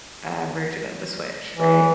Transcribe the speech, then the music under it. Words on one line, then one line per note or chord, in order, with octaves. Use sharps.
uh, version of the Switch, right?
E3